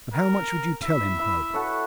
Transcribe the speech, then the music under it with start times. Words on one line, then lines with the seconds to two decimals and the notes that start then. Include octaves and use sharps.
"But how much would you tell him, Herbert?"
0.13 A#4
0.83 E4 E5
1.19 E4
1.53 F#4 A4 C#5